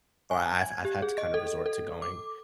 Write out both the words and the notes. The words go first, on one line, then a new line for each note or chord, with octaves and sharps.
or I've I've had to kind of resort to going,
G#5
G#6
G4
G#4
D#5
A4
A4
D6